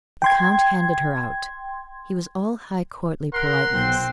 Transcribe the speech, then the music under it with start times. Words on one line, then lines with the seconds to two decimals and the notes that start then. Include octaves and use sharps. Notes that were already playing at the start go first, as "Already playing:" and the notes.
The Count handed her out; he was all high courtly politeness.
0.22 G5 C6 G#6
3.33 A#4 F#5 C6
3.73 B1 C4